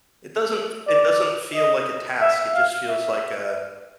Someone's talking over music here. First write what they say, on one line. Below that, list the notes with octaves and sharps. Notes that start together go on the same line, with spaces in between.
It doesn't it doesn't feel like a task, it just feels like a
D5
D#5
E5
F5
E5